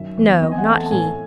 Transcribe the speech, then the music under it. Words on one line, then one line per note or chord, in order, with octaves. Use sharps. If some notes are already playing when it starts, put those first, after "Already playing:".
No, not he.
Already playing: F#2 D#3 E5
E2
C4 D#5
G#5
F#5
A3
A5
A5
A2 G#5